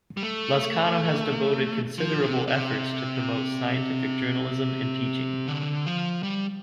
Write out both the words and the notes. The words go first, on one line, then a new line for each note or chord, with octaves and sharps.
Lazcano has devoted considerable efforts to promote scientific journalism and teaching.
G3
A3
F3
C3
C3
D3
F3
G3